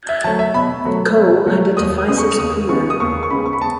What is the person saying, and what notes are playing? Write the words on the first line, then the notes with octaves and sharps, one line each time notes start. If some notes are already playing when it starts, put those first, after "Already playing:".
Koe identifies as queer.
E5
F#3 A3 A5
E5
B2 B5
F#3 A3
B2
F#3 A3
D#2 D#6
D#6
C#3 G#3 B3 D#6
C#6
D#2 D#6
C#3 G#3 B3 C#6
D#6
D#2 C#6
C#6
C#3 G#3 B3 B5
C#6
B5
A5